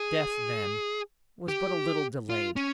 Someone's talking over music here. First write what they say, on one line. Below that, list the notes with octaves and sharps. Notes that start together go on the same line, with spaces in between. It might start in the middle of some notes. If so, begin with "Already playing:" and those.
Death, then, was but a little delayed.
Already playing: G#4
G4
F4
C#4